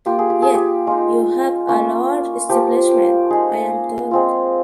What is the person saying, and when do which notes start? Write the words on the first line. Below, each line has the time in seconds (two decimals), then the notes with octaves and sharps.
Yet you have a large establishment, I am told?
0.06 A#3 F4 G4
0.19 G#4
0.30 G4
0.42 G#4
0.55 G4
0.87 G#3 D#4 F4
1.68 A#3 C#4 F4
2.49 F3 A#3 F4 G4
3.30 G#3 D#4 G#4
4.11 G#3 C4 F4